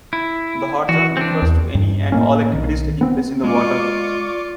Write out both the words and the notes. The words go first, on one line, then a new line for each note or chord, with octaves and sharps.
The Hot Zone refers to any and all activities taking place in the water.
E4
E3 F#4
C4 D4
E2
G2
A2 A#3 C#4
B1 D#3
B3 C4
G#3 F4 D5 C#6 D6